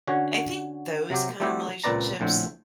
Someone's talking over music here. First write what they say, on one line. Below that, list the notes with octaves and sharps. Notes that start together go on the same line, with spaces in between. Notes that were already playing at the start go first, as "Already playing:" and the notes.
I think those kinda relationships
D3 C#4 F#4 C#5
C3 F#3 C4 G4
G3 A3 C4 E4 F#4 G4
C#2 A#2 C4 B4 D5 A#5
A#1 A2 D3 C4